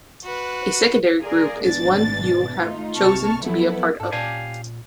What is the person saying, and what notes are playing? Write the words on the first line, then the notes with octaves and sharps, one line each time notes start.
A secondary group is one you have chosen to be a part of.
F#4 B4
F4 G#4 A#4 D5
G#1 E2 B2 D4 A6
A3 D#4 F4
B1 C3 A5 C#6 F6
F3 F#3 A3 B3 E4
G#2 A4 D5
A#2 C#4 G4 D5 F5 G#5 A5